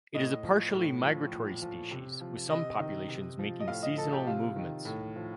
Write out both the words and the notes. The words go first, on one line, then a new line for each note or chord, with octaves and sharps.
It is a partially migratory species, with some populations making seasonal movements.
A2 D#5
F3
A2
F3
A#2
F3
C3
F3
C3 D#5
D#3
C3
F3
D#5
A2 F5
D#5
F3 A4
G4
C3 F4
D#3
A2
F3